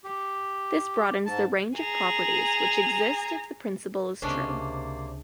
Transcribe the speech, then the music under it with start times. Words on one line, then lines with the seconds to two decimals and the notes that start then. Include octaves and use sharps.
This broadens the range of properties which exist if the principle is true.
0.04 G4
1.26 G#2 A5
1.77 G#4 A#5
4.22 C#2 C3 G#3 A#3 C#4 D4 C5 D5